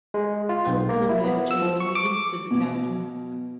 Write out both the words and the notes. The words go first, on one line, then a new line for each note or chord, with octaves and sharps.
"Oh, come now, J. P.," said the captain.
G#3
F4
B1
A#3
E4
B3
E6
F3
C#6
D6
B2